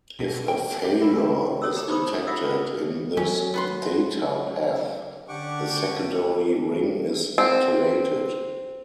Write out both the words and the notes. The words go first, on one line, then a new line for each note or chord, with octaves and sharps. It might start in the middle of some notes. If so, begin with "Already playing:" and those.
If a failure is detected in this data path, the secondary ring is activated.
B2
G5
G4
E4
A4 C#5 D#6 E6
G4 A#5 D6
D#4 G4 C5 B5 C#6 D#6
A#5
F4 G4 E5 F#5 D#6 E6
G#4 B4
F#3 C#4
B3 B4 C6
D3 C#4 D4 G4 F#5 C#6 D6
C4